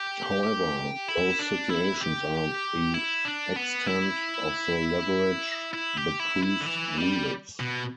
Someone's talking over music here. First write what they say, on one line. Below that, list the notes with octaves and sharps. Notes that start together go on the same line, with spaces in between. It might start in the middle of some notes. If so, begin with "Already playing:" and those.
However, those situations are the extent of the leverage the priest wields.
Already playing: G4
E4
D4
E4
G4
E4
D4
B3
E4
E4
G4
E4
E4
D3
E3
G3
B2